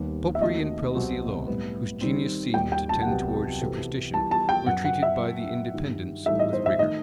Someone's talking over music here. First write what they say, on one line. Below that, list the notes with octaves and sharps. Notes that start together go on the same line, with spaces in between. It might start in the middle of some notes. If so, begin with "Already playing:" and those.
Popery and prelacy alone, whose genius seemed to tend towards superstition, were treated by the Independents with rigor.
Already playing: D#2 D#3 G3 B3
E5
D#2 D#3 A3 C4 F#4 D#5
C2 B2 F#3 C4 F#4
A2 G3 B3
D#3 G3 C4
D#2 D#3 G3 D#4 G4 G5
G5
A5
F#5
C2 C3 F#3 B3 G5
C3 E3 B3 F#4 A4
E3 G3 B3 E4 G4 A5
A5
G5
F#2 F#3 B3 F#5
F#5
E5
F#3 B3 F#4
G2 D#3 G3
A2 E3 G3 D#4 A4 E5
D#5
C5
E5
D#3 A3 D#4 D#5